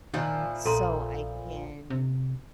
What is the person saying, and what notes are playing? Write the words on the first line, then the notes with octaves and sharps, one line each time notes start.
so I can
A#2 D#3 F3 E4
A#1 A4 A#5 C6
C3